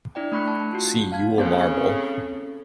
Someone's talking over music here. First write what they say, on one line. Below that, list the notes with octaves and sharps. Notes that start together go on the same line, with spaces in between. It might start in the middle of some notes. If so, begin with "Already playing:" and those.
See Yule marble.
D4 E4 D5 G5
A3 D4 B5 C#6 F#6 C#7
A5
F4 F#4
F5 A5 G#6
A2 C#3 A#3 C4 C#4 A4 C5 F#6